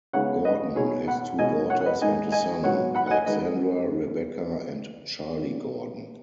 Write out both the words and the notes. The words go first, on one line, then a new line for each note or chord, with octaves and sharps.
Gordon has two daughters and a son, Alexandra, Rebecca, and Charlie Gordon.
C#3 G#3 B3 D#4 C#5 F#5
B4 D#5
B2 B3 D#4 G#4 C#5
F#5 B5
B2 G#3 C#4 D#5 G#5
C#5 F#5
F#5
B4 D#5
G#2 G#3 D#4 D#5 G#5
D#5 G#5
G#2 D#3 F#3 B3 C#5 F#5
F#5 B5
F#5
D#5 G#5
D#3 G#3 D#4 B4 D#5